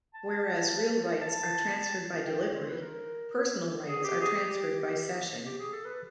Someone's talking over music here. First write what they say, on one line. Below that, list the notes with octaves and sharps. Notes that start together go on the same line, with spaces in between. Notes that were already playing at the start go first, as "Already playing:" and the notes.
Whereas real rights are transferred by delivery, personal rights are transferred by cession.
A5
A5
G5
C#5
C5
B4
A#4
G#4
G4
G#4
G4
G4
G#4
A4
B4